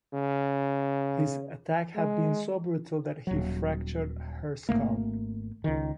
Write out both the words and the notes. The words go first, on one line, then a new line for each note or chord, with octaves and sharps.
His attack had been so brutal that he fractured her skull.
C#3
G#3
D#1 F#3
G#1 G#2 A3 A#3
C#2 D#3